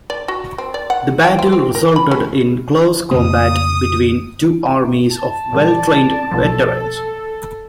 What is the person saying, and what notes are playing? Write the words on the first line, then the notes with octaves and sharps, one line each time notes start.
The battle resulted in close combat between two armies of well-trained veterans.
D5
F#4
C4
D5
F#5
G5
C4
C4
A#4
B5
C#4
F2 C#3 A#3 D#6
A5
A#2 D#3 G3 D5
B1 B2 F3 A4